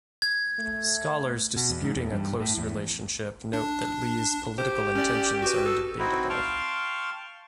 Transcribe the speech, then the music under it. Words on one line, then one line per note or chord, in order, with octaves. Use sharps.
Scholars disputing a close relationship note that Li's political intentions are debatable.
G#6
A3
B2
E2
G#2
E2
G2
A2
E2
D4
G4 C5
C#4 D5
F#4 B4
A4
C4 D#4 E4 F#4
F5 G5 A5 C6 C#6 F6